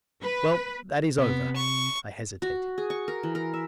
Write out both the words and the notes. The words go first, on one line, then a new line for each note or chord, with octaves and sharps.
"Well, that is over." I hesitated.
B4
C3 B3
C#6
F#4
G#4
C#6
A#4
E3
A#4
E5